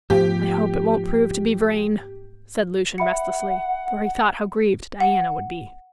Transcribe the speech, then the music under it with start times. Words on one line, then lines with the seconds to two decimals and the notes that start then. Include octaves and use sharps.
"I hope it won't prove to be Vrain," said Lucian restlessly, for he thought how grieved Diana would be.
0.10 G#2 F3 A3 B3 G4
2.98 E5 F#5 B5 C#7
5.00 F#5